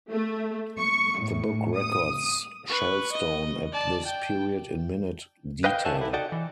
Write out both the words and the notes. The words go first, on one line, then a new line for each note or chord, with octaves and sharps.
The book records Shalstone at this period in minute detail.
A3
C#6
A2
D#6
B4 C#6
D#5
D5 A5
G5
B4 D#5 F5 G5
C5 C#5 E5 F#5 G#5 A5
C3 E4
D#4 F#4 A4 D5 F#5 G5
E3